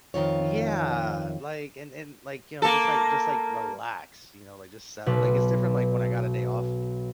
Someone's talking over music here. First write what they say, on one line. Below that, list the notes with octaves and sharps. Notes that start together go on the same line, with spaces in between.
Yeah, like, and and, like, you know, just, like, just, like, relax, you know, like, just settle, like, it's different, like, when I got a day off,
F2 D#3 F4 C#5
A#3 A4
B1 B2 B4